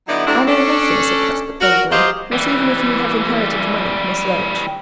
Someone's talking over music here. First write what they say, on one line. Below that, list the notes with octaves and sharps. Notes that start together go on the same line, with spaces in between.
"I know nothing," said Cuthbert doggedly, "not even if you have inherited the money of Miss Loach."
D3 F#3 B3 D#4 E4 D5
C3 F#3 A3 C4 D4 E4
C#4 D4 A4
F#4 A#4
F#3 F4 G4 G#4 C5 D#5
E3 G3